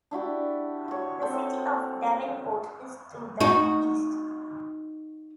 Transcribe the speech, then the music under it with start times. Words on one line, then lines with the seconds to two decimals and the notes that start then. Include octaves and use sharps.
The city of Davenport is to the east.
0.11 D4 E4 F#4 G4
0.88 F#4 C#5
1.22 C4 A4
3.40 D#4 F#4